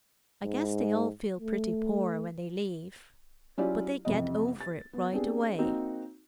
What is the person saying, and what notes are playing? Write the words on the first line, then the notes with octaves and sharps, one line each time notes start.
'I guess they all feel pretty poor when they leave, but they get over it right away.
G#2
A3
F#3 C#4 E4 F4 G4 D5
A1 F2 C3 D#5
A6
B3
B3 C4 D4 G4 G#4
A#3 C4 D#4 F#4